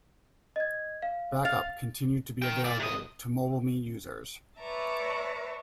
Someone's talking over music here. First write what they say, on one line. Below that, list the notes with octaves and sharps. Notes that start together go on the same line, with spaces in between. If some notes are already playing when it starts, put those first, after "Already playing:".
Backup continued to be available to MobileMe users.
D#5 G#6
F5
F5 A6
A#4 G5
F4 D5
C3 D#5
B4 C#5 D5 E5 A5 A#5